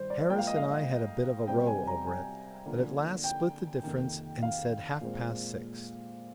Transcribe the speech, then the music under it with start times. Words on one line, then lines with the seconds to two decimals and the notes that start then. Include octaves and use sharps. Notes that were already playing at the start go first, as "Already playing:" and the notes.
Harris and I had a bit of a row over it, but at last split the difference, and said half-past six.
Already playing: G2 D#3 G3 C5
0.10 D5
0.29 G#2 F3 A#3 G5
0.39 F5
0.47 D#5
0.57 F5
1.47 C3 G3 C4 G5
1.67 G#5
1.87 A#5
2.06 G#5
2.65 D3 F3 A#3
3.24 G5
3.83 F2 C3 D#3 A#3
4.43 F5
5.01 A#2 G#3 C4